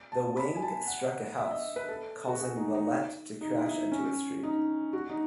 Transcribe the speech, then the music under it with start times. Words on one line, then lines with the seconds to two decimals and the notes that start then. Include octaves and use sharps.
The wing struck a house, causing the Let to crash into a street.
0.12 A5
0.37 B5
0.55 G#5
0.62 A5
0.87 F#5
1.38 E5
1.51 D#5
1.76 B4
1.88 A4
2.28 F#4
2.40 G#4
2.56 D#4
2.74 D#4
3.41 D#4
3.58 E4
3.66 D#4
3.92 C#4
4.43 D#4
4.93 F#4
5.09 D#4